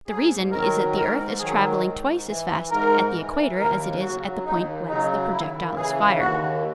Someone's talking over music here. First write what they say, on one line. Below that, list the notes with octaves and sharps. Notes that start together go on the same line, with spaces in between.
The reason is that the earth is traveling twice as fast at the equator as it is at the point whence the projectile is fired.
G#2 G#4
D#3 F#3 A#4
G#2 A#4
D#3 F#3 G#4
G#2
E3
G#2 A#4
E3
D#2 A#4
C#3 F#3 F#4
D#2 D#4
C#3 F#3 D#4
D#2 E4
C#3 E3 G#4
D#2 F#4